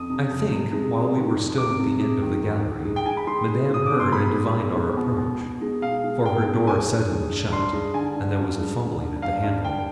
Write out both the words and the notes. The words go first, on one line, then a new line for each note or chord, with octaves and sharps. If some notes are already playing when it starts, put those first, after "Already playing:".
I think, while we were still at the end of the gallery, Madame heard and divined our approach, for her door suddenly shut, and there was a fumbling at the handle.
Already playing: F2 D#6
C3
F2
C3
G#3
C3
D#3
F2
C3 D6
C3
G#3
D#3
D#3
D#3
G#3
G5
G#3 G#5
B5
G#3 C6
G#3
G#3 D#6
D6
B2
C6
G#3 B5
G#3
B2
G#3
B2
B2
B2
G#3
B2 F5
G#3
B2 G5
G#3
G#3 G#5
G2
G#3
G2
G2 C6
G#3
D3 G#5
D3
G2
G#3
D3
G2
G2 F5
G2
D3 G5